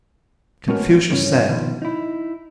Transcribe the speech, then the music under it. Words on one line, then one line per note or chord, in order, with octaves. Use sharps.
Confucius said.
G#3 A3 B3 C#4 F#4 A#4
G2 C#3 E3 C#4
B2 D#3 F3
D#4 E4